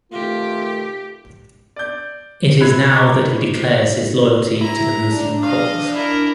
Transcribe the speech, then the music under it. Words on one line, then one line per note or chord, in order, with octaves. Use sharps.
It is now that he declares his loyalty to the Muslim cause.
C3 D#3 A3 F4 G4
D5 G6
C3 B5 F#6 G#6
A#5 B5 C#6 D6 G#6
D#3
E4 A#5
D4
D#5 F5
E4 A#4